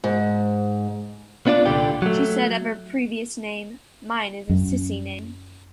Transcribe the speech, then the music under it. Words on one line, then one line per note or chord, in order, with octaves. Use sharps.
She said of her previous name: Mine is a sissy name.
G#2
B3 D4 F4 D5
C2 A#2 D3 G3 G4
F#3 A3
F#2